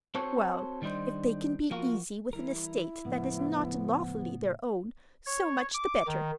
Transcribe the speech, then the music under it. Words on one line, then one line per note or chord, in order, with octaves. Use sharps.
Well, if they can be easy with an estate that is not lawfully their own, so much the better.
C4 F#4 A4 C5 C#5
D#3 G3 D4 D#4 C5
F3 A#3 F4 F#4
E3 G3 E4 A#4
C#2 A2 F3 B3
C#5
D6
D#3